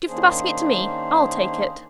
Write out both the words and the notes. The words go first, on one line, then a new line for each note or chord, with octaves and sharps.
'Give the basket to me,--I'll take it.'
D#3 A#3 C#4 D4 G#4 C5